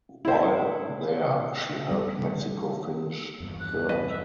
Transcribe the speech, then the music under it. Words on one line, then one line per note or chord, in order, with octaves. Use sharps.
While there she helped Mexico finish third.
E4 C5
G3 A4
E2 G2
F#6
C2 B4 D#5
E5